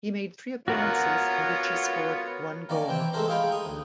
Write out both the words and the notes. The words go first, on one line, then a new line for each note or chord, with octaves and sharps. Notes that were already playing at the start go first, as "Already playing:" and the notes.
He made three appearances in which he scored one goal.
B3 F4 F#4 A#4 C#5 F#5
D#3 A#3 C#4 D5
E3 C4 G5
G#3 A3 C4 A4 A#4 C5
D#4 F4 G#4 F5 G5 B5
D#6
D2